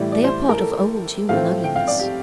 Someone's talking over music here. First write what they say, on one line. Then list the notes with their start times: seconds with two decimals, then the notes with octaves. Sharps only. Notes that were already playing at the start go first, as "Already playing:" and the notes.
They are part of old human ugliness.
Already playing: A2 E3 G3 D5
0.12 D5
0.24 C5
0.49 A#4
0.58 A4
1.29 A2 F3 A3 C4 F5
1.64 G5
1.76 F5
1.87 D5
1.99 G4